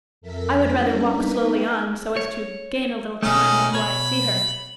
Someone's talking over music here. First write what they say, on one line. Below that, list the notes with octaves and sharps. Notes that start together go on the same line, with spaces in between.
'I would rather walk slowly on, so as to gain a little time before I see her.
F2 A4 A#4 E5 B6
G3 A#3 C#4 D4 E4 A4
B3 D#4 A#4 B4
D#5 G5
C#5
B2 D#3 G#3 A3 C#4
B2 C#5 B5